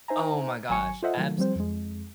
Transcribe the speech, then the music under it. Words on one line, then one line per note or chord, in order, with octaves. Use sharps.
Oh, my gosh, abs
D#4 C5 E5 G#5 A#5
G#1 F#3 G#5 C#6 C#7
F4 A4 C5 D#5 E5 F#5
D#3 F#3 A3
F3 G3 C4 C5
F2 G#3